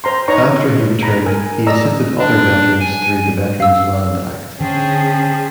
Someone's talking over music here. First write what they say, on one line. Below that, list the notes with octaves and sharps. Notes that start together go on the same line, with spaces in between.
After he returned, he assisted other veterans through the Veterans Land Act.
C5 A#5 C6
D#4 B4 C#5 A#5 C#6
A#5 B5
A#4 G#5
D5 D#5 A#5 E6
D4
G#5
F5 E6
D3 C#4 D4 G#4 C5 G5 A5